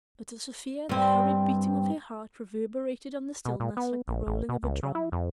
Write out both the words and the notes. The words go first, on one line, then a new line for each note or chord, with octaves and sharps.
But to Sofia the hurried beating of her heart reverberated on the stillness like the rolling of a drum.
G2 C4
B2
A#2
B3
A#1
A1
B2
C#2
C#3
E4
F2